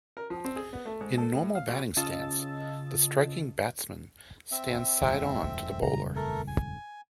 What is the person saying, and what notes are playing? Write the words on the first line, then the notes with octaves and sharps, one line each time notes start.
In normal batting stance, the striking batsman stands side on to the bowler.
A#4
F3
C4
G#4
B3
A3
G#2
A4
A2
F5
B1
C#3 F4 D#5 A5 E6 A6
C4 E5
D#1 F2 C#3 G#3 E4
C#3 G3 A#5
A3 A4 A#4
G#5